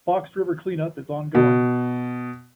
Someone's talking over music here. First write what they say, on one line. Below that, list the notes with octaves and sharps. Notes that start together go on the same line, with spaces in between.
Fox River clean up is ongoing.
B2